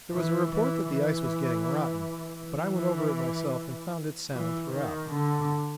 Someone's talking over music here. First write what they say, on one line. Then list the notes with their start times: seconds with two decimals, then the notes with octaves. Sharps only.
There was a report that the ice was getting rotten, but I went over it myself and found it sound throughout.
0.12 E3
0.51 E3
0.89 E3
2.42 E3
4.32 E3
4.71 D#3
5.09 D3